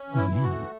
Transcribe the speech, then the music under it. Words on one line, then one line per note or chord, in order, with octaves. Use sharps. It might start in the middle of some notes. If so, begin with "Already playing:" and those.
Oh man.
Already playing: C#4
E3
E4
E3
F#4
A3